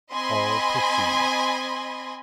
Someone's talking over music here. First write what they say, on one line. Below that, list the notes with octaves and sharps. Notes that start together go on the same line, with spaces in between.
All to see.
C4 D#5 G#5 B5 C6